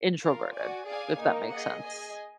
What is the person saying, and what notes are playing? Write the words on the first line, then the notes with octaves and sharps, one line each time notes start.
introverted, if that makes sense.
F4 A#4 F5
F#4 D5 G#5
G#4 D5 F5 G#5
A#3 D#4 A#4
G#4 D#5 F#5
G#4 D#5 G#5